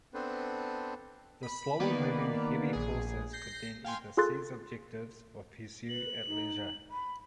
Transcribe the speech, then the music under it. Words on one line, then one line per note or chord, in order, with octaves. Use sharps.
The slower moving heavy forces could then either seize objectives or pursue at leisure.
B3 C4 D4 A4 B4 C5
B5
D#3 A#3 B3 B4 D5
A#1 G#4
G6 A#6 C7
F5 G5 G#5 C6
F4 G#4 A4 C6 F#6 A6
B4 F#7
D#4
B5